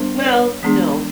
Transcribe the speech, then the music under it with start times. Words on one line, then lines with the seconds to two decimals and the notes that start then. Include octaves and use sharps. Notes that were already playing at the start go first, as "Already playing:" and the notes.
Well, no.
Already playing: G3 B3 D4 A#4 C5
0.20 D5
0.25 B4 C#5
0.63 E3 G#3 B3 D4